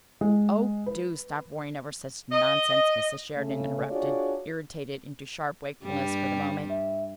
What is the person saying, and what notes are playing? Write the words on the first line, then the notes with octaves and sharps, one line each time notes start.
"Oh, do stop worryin' over such nonsense," Mrs. Sheridan interrupted, irritated into sharp wakefulness for the moment.
G#3
B4
D#5
C#3 A3
D4 F4 F#4 G#4 C#5 D5
G2 G3
E5